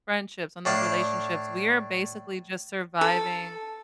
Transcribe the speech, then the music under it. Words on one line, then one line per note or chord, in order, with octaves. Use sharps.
friendships, on those relationships, we are basically just surviving
A2 D4 F5
A4